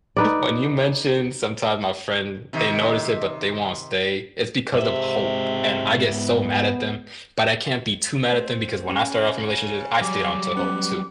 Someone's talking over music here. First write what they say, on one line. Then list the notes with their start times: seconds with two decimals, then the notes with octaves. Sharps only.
when you mentioned sometimes my friend they notice it, but they won't stay, it's because of hope, and I get so mad at them, but I can't be too mad at them because when I started off in relationships, I stayed onto hope too.
0.17 D#4 B4 D5
2.53 C3 D#3
4.74 G#2 C3 G#3 C4 E5
6.09 B3
8.28 A3 C4 B4
8.89 C#3 C#4 G5 G#5
10.01 F#3 G3 D6
10.57 B3 C#4